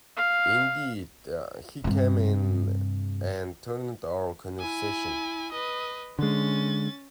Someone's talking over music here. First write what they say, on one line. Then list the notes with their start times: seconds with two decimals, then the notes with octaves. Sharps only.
Indeed, he came in and turned our conversation.
0.17 F5
1.84 G2 C3
4.60 E4 G#5
5.52 B4 D#5
6.19 D3 G#3 C#4 A6